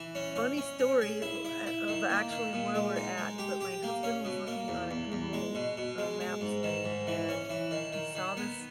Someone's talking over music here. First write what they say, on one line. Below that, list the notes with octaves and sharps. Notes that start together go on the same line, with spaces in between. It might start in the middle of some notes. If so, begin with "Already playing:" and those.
Funny story, ooh eh of actually where we're at, but my husband was looking on a Google, uh, Maps thing, and he saw this
Already playing: E3
C#4
C#4
C#4
C#4
G#4
E4
E4
E4
D#3
A#3
D#3
A#2
G#3
D#4
G#3
G4
G4
A#3
C#4
B2
A#3
E2
E2
E2
G#3
B2
B2
G#3
G#3
G#2
D#3
G#2
E3
C#4
E3
D#3
D#3
D#3
B3